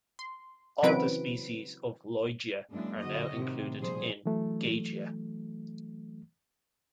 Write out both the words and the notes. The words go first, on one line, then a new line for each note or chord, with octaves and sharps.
All the species of "Lloydia" are now included in "Gagea".
C6
C#3 E3 F#3 C4 B4 D7
F#2 G#3 A#3 D4 E4
D3 F#4 D#5
A2 C3 D#3
A#2 D3 F3 G3 G#4 C5
E3 F#3 A3